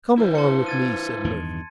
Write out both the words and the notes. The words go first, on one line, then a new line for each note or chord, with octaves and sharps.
"Come along with me," said Murphy.
E4 B4 C5
A5 C6 C#7
G#6 A6 D#7
E2 G2 D#3